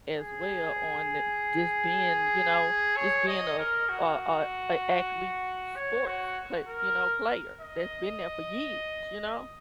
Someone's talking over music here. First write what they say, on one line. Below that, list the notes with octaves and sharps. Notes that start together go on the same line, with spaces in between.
as well on the just being, you know, just being a a a a athlete sports, but, you know, player that's been there for years, you know?
G#4
C#5
D#5
A#4
F#4
C#5
F#4
A#4
D#5